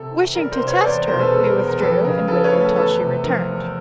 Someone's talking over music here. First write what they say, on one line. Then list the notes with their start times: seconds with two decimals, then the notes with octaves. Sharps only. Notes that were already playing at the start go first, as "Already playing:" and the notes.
Wishing to test her, we withdrew and waited till she returned.
Already playing: C3 A4
0.11 E3
0.35 G3 A#4
0.52 A#4 C5
0.60 C3
0.68 B4 C#5
0.84 E2 C5 D5
1.07 B2 A#4 C5
1.19 A4 B4
1.31 G#3 A4 B4
1.44 A#4
1.56 E2
1.68 A#4
1.79 F2 A4 B4
2.04 C#3 A#4
2.27 E3 A4 B4
2.44 B4 C#5
2.52 A3
2.60 A4 B4
2.76 E2 A4 B4
3.01 C3
3.24 F3 A#4
3.48 E2